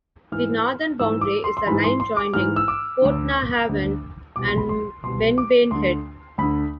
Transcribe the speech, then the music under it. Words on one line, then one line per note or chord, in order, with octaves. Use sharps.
The northern boundary is a line joining Portnahaven and Benbane Head.
G#2 E3 F6
G#2 E3 E6
D6
C6
C6
G#2 E3 B5
C6
C6
D6
G#2 E3 F6
E6
D6
D2 D3
D2 D3
C2 B2 D6
C6
B5
C6
C2 B2 C6
D6
D2 D3 C6
D2 D3 B5